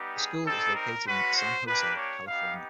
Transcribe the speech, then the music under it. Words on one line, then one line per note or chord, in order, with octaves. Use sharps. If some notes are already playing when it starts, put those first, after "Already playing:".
The school is located in San Jose, California.
Already playing: G3 B3 D#4 G4
G#4
G3 C4 D#4 A4
A#4
G#3 C#4 F#4 B4
C5
A#3 D4 G4 B4
C#5
B3 D#4 G4 F5